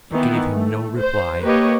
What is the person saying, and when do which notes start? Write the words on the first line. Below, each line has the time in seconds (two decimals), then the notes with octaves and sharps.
It gave him no reply.
0.13 D#3 E3 B3
0.51 A3
0.99 C5
1.43 A#3 G4 B4 C#5 D#5